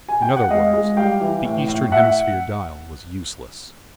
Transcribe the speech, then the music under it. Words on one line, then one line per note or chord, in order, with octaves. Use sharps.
In other words, the eastern hemisphere dial was useless.
G#5
G5
F#5
G#3 D#5 F5
G#3
G3 F5 G5
E3
A2
A2
E5 F#5